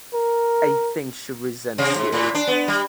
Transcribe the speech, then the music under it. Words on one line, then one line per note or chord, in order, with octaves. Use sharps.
I think she resents you.
A#4
C3
G#2
A2
D4
B3
G3